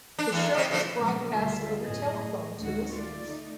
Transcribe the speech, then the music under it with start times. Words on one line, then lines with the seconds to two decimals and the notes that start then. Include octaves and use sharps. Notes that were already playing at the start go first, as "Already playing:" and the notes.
The show was broadcast over telephone to listeners.
0.19 D4
0.32 E2
0.54 C#3 C4
0.71 B2 F3 A3
0.98 A#2 C#3 F3 F#3 G#3 A#4
1.33 D2 B2 G3 A3 F4 E5
1.80 F#2 A2 G#4 D#5
2.60 D2 D#3 G#3 F#4
2.92 A3 F4 D5
3.25 A3 D#4